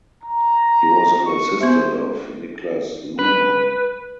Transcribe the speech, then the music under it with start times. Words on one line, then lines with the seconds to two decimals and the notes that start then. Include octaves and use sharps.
He was an assistant of Niklas Luhmann.
0.23 A#5
1.26 C#6
1.61 B3 C5 E5
3.19 B4